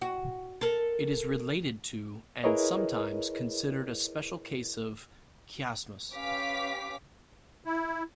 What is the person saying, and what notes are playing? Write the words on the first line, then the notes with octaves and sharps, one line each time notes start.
It is related to, and sometimes considered a special case of, chiasmus.
F#4
A4 A#4
E4 G#4 A#4 B4 C#5 D#5
C#4 G4 B4 F5 D6 B6
E4